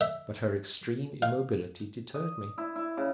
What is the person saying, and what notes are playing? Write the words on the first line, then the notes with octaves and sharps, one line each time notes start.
But her extreme immobility deterred me.
E5
F5
D#5
E4
E4
C#3